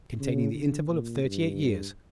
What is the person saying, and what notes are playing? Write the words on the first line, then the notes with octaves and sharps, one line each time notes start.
Containing The Interval Of Thirty-Eight Years.
C#3
D3
A#2
G2